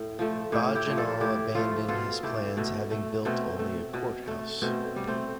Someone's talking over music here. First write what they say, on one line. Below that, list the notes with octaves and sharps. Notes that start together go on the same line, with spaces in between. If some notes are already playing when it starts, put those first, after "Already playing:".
Bagenal abandoned his plans, having built only a courthouse.
Already playing: A2
F3 A3
A2 E4 G4
E4 G4
F3 A3
F4 A4
A2 E4 G4
F3 A3 F4 A4
B2 F4 A4
A3 E4 G4
B2 A3
A3
B2 A3 C4
A3
B2
A3
B2 A3 C4
G3
A3 C4